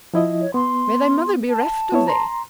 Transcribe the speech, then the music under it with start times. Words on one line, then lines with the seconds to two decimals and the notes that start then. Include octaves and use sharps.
May thy mother be reft of thee!
0.14 F3 E4 D#5
0.41 C#5
0.54 B3 C6
1.50 A5
1.92 B3 E4 C#5
2.08 A#5 C6